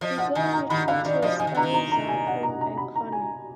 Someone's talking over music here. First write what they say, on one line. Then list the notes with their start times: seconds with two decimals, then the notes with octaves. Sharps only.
They go on a trip to a ski resort owned by Connor.
0.01 F3 D#5
0.18 F#5
0.35 D#3 G#5
0.53 A#5
0.70 D#3 B5
0.88 D3 F5
1.05 D#3 D5
1.22 F3 D#5
1.39 F3 G#5
1.47 D#3
1.55 D3 A#5
1.63 D#3
1.74 A#5
1.92 A#5
2.08 G#5
2.27 F#5
2.43 A#5
2.61 A#5
2.77 B5
2.95 A#5
3.12 G#5